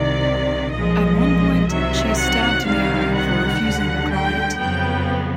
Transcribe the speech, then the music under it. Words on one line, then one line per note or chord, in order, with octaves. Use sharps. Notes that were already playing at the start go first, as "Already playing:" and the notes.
At one point, she is stabbed in the eye for refusing a client.
Already playing: C2 C3 D#3 D5
B1 A#2 F3 G#3 D#5
D#5
C2 C3 D#3 F#3 E5
F#5
C2 C3 D#3 G3 F5
F#5
D2 D3 G3
G5
F2 C#3 F#3 B3 G5